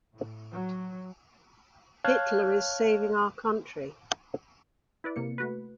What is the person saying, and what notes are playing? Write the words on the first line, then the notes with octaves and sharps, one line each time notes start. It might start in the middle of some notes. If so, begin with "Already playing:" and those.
Hitler is saving our country.
A2
F#3
C#5 F5 A5 F6 F#6 G#6
E4 B4 D5
C3 A#3 C#7
A3 F#4 B4